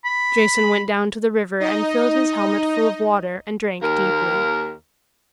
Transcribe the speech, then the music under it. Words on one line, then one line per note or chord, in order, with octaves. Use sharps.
Jason went down to the river and filled his helmet full of water and drank deeply.
B5
D#4 D#5
D#2 A#4